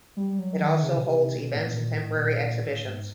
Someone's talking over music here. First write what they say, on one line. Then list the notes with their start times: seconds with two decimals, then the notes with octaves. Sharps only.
It also holds events and temporary exhibitions.
0.17 G3
0.39 F#3
0.61 D#3
0.83 C#3
0.97 B2
1.05 C3
1.36 B2
1.55 A2
1.65 A#2
1.95 A2
2.16 A#2
2.40 A#2
2.61 A2
2.83 G#2